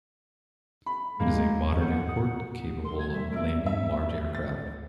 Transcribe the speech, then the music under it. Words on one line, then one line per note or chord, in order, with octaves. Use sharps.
It is a modern airport capable of landing large aircraft.
B5
G#3 A#3
G4 A4 F#5 G6
D#6
A4 A#4 C6
G#6
B2 G3 A3 E5
A#3 A#4 D5 E5
E5
A6